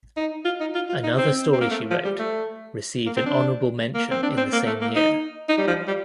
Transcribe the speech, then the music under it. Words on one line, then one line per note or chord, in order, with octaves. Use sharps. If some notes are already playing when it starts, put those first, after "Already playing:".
Another story she wrote received an honorable mention in the same year.
D#4
F4
D#4
F4
F4
D#4
C4
C4
A#3
A3
F3
G3
A3
A#3
C4
D4
A#3
C4
D4
C4
A#3
A3
A#3
D#4
D#4
G3
F3
G3